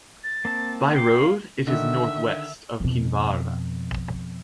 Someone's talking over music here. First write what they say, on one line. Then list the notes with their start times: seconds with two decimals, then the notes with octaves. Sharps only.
By road it is northwest of Kinvarra.
0.24 A6
0.45 A#3 C4 A5
0.96 G5 D6 C7
1.21 F5
1.67 D3 D#3 E5
2.80 F2 B2